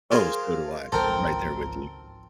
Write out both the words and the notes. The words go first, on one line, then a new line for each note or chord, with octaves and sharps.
Oh, so do I, right there with you.
F4 G#4 A#4 C5 F5
G#1 C#2 F3 C4 A4 A#4 G5